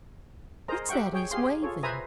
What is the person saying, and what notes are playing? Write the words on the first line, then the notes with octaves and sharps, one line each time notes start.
What's that he's wavin'?
G#4 A#4 C5 D#5 A#5
G4 E5 F#5 G5 C#6
G#4 C#5 G5
G4 G#4 F5 C6
F4 G#4 A4 C#5
B4 C5 E5 G#5 A#5 D#6